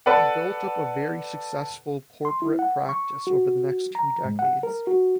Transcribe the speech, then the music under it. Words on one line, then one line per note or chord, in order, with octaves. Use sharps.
He built up a very successful corporate practice over the next two decades.
A4 B4 D5 F#5
C6
E4
F#5
C#6
F#4
A#5
G#2
F#5
A#4
F#4